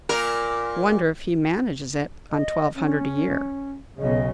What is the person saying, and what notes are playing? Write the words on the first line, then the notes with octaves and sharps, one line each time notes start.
"Wonder if he manages it on twelve hundred a year?"
A#2 A#4
D#5
C#4
B1 C#3 D#5